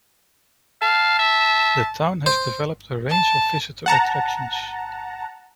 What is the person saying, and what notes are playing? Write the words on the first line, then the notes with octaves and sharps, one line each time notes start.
The town has developed a range of visitor attractions.
F5 A5
E5
C5
A5
F#5 A5 A#5